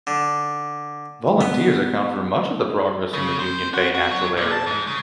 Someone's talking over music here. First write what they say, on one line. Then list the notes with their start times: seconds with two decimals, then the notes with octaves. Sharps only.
Volunteers account for much of the progress in the Union Bay Natural Area.
0.07 D3
1.41 B3
3.13 C#3
3.39 C5
3.74 F#4
3.94 F#4
4.11 F#3
4.37 A#2
4.51 A5
4.66 G#2
4.87 C#3